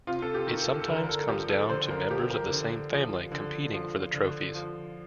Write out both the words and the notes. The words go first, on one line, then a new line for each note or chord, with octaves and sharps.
It sometimes comes down to members of the same family competing for the trophies.
C3 F4
A4
G4
D#3
A4
A4
D3 A#4
A#4
A4
F3 G4
A4
D3 C5
A#4
F3 G4
A#4
D3
F3
D3
F3
D3
F3